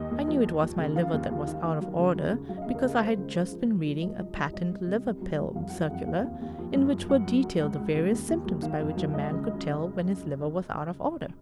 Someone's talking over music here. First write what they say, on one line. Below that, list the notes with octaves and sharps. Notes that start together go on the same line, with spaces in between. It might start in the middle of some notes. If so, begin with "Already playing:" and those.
I knew it was my liver that was out of order, because I had just been reading a patent liver-pill circular, in which were detailed the various symptoms by which a man could tell when his liver was out of order.
Already playing: D#2 D#5
D#2
F3
D#2
D#2
C#3
F3 F5
D#2
D#2
D#3 F5
D#3
F#3
C#3
F#3
C#3
F#3 F5
D#5
F5
D#2
A#4
C#3 G#4
C#2 C5
C#3
C#2
F3
C#2
F3
F#3 D#5
C2
C2
C2 D#5
C2
C3
C2
F#3
C2
F2 F5
F#5
F#3
F5
F2 F#5
D#2 F5
D#2
D#2
F3
F#2
F#2
F#2 F#5
F#3
F#3
C#2 F#5
C#2
C#3
D#2
D#2
F#3
D#3 F5
F2
F#3
C#2 D#5
C#3